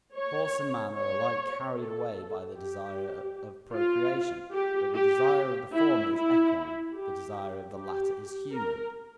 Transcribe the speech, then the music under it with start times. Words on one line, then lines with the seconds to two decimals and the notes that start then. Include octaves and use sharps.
Horse and man are alike carried away by the desire of procreation; but the desire of the former is equine, the desire of the latter is human.
0.16 C#5
0.96 C#5
1.75 A4
2.54 G4
3.74 F4
4.53 G4
4.94 G4
5.73 E4
6.13 E4
6.93 G4
7.73 G4
8.52 A#4